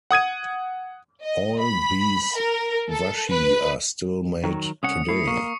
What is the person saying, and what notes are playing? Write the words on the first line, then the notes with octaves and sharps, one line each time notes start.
All these washi are still made today.
F#5 D#6 G#6 D#7
D#5
B5
A#4
A4
B4
D#3 F#3
C2 C#4 F#5 D#6 C#7
A3 E4 C7
A#3 C#6